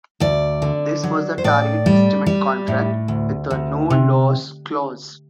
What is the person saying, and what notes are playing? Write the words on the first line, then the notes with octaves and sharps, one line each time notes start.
This was a target estimate contract with a 'no loss clause'.
D2 D5
D3
F#3
C5
A2 D5
G3
G3
A2
D2
D2
C3